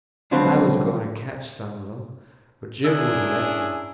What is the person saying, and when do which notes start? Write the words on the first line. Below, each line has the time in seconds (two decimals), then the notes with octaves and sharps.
I was going to catch some of them, but Jim wouldn't let me.
0.31 C#2 D3 F3 F#3 C4 B4
2.85 C#4 D4 E4 G#4 A#4